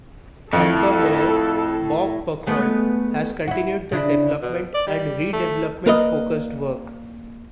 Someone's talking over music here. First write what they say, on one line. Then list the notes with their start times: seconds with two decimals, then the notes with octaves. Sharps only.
Tampa Mayor Bob Buckhorn has continued the development and redevelopment focused work.
0.53 F2 A2 A4
2.46 G#3 A3 B3
3.47 E4 F#4
3.92 C#3 D4 E4
4.42 B2
4.74 D5
4.87 G3
5.33 A3
5.86 A#3 A#4 B4 D5 D#5